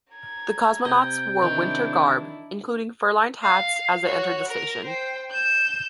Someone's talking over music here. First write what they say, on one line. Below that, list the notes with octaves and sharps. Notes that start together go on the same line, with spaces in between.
The cosmonauts wore winter garb, including fur-lined hats, as they entered the station.
A#5 G#6
C3 D#5 G5
D#3 D4 E4
F5
F#4 C#5
A#4
C5 G5
G6 E7